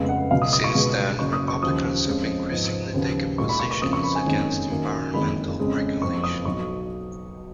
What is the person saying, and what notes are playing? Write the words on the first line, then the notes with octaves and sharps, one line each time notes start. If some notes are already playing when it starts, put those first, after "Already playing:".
Since then Republicans have increasingly taken positions against environmental regulation.
Already playing: F1 F2 C#3 G#3 B3 F5
F#5
C#2 B2 F#3 F5
D#6
D#6
C#6
C#2 B2 G#3 B3
F#1 F#2 C#3 C#6
D#6
C#6
D#2 C#3 F3 D#6
F2 F3 G#3 C#4
G#2 F3 B3
D#2 C#3 F3 B3
B1 A#2 G#3 C#6
B5
C#6
C#6
F2 C#3 F3 A#3 D#6
C#6
B5
G#5
F#1 F2 D#3 G#3 C#4
F#2 D#3 A#3
F#1 F2 D#3 G#3 B5
F2 C#3 G#3 C#4
F#1 F2 F3 C#6
D#6
B1 B2 F#3 C#6